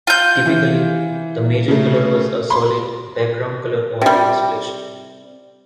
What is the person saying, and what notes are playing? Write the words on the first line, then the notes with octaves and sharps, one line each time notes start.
Typically, the major color was a solid, background color on the insulation.
F4 G6
E3
C#3 A3
B5 C6
C3 G3